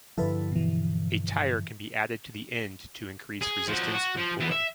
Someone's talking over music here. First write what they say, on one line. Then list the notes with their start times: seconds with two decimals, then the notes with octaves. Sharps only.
A tire can be added to the end to increase resistance when pulling.
0.18 G2 D3 F3 E4 A4 B4
0.52 B2 E3
3.42 G#4
3.68 F3 F#4
3.94 F#4
4.17 F3
4.40 E3 B3
4.51 E5